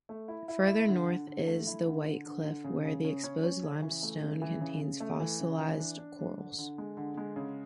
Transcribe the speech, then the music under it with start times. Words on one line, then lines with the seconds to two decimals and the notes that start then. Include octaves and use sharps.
Further north is the White Cliff, where the exposed limestone contains fossilised corals.
0.09 A3
0.28 E4
0.48 E4
0.67 E4
0.88 D3
1.08 D3
1.27 D3
1.47 A3
1.67 E4
1.86 D3
2.06 D3
2.26 D3
2.45 D3
2.64 C#3
2.85 C#3
3.05 C#4
3.24 C#4
3.43 C#4
3.63 C#3
3.82 E3
4.03 A3
4.21 C#3
4.42 E3
4.61 C#3
4.80 C#3
5.00 A3
5.20 E3
5.40 C#3
5.60 E3
5.79 D4
5.98 D4
6.19 D4
6.38 D3
6.58 D3
6.78 G#3
6.97 D3
7.17 G#3
7.36 C#3